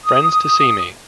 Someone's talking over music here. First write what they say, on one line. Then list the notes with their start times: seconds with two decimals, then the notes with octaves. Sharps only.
Friends to see me!
0.04 D#6